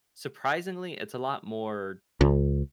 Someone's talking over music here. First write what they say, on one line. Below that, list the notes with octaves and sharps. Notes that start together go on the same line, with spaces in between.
surprisingly, it's a lot more
C#2